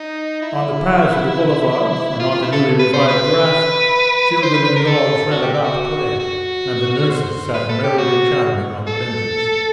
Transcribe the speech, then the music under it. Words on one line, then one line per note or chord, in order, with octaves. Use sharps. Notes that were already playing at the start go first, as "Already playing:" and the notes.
On the paths of the boulevards and on the newly-revived grass, children and dogs ran about, playing, and the nurses sat merrily chattering on the benches.
Already playing: D#4
E4
F4
F4
E4
A4
B4
C5
B4
C5
B4
B4
A#4
A4
F#4
G4
G4
F#4
F#4
C5
B4
A4
G4
F#4
A4